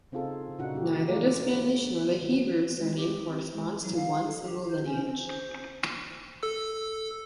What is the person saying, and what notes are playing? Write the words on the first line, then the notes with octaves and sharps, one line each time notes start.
Neither the Spanish nor the Hebrew surname corresponds to one single lineage.
C#3 C4 D#4 F4 G#4 A4
A#2 C#3 D4 D#4 F#4 F#5
G3 F#4 G4
F3 A3 F4 A#4 D5
D4
D#3 F#3
G#3
G4
C4
G#3
F#3
F5
A4
G4
C5
C#4
C4
C5
A4 E6